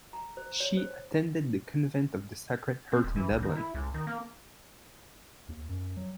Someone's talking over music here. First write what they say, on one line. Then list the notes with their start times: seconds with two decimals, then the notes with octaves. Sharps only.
She attended the Convent of the Sacred Heart in Dublin.
0.13 A#5
0.37 C5
0.60 C#5
0.77 C5
2.92 C4
3.04 D1
3.16 E3
3.31 B1
3.43 D#3
3.56 E4
3.75 C#2
3.94 D#3
4.07 A#3
5.48 D#2
5.69 F#2
5.97 F#3